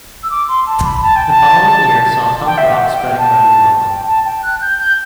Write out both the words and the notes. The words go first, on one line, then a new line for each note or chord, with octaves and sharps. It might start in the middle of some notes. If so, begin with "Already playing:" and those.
The following year saw punk rock spreading around the world.
E6
D6
C6
A5
B5
A5
G5
A5
G5
E5
F#5
G5
A5
G5
A5
G5
F#6
G6
G6